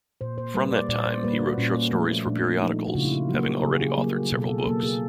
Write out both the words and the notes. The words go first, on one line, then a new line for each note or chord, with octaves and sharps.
From that time, he wrote short stories for periodicals, having already authored several books.
A#2 C5
C5
G3 A#3 B4
D5
A#2 D5
C5
G3 A#3 B4
F4
F#4
A#2 C#4
F3 A3
A#2 D4
F3 A3 D#4
F#4
C#3 F4
E4
F4
F#3 A#3 F#4
G4
C#3 G#4
G4
G#4
F#3 A#3
B2 A4
A4
G#4
F#3 A#3 A4
G#4